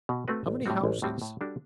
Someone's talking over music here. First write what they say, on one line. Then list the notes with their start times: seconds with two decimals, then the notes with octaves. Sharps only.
How many houses?
0.09 B2
0.28 A3 C4 F#4 B4
0.46 A1
0.66 A2 G3 C4 F#4
0.84 A1
1.02 A2 G3 C4 F#4
1.22 A2
1.41 G3 D4 F#4 A4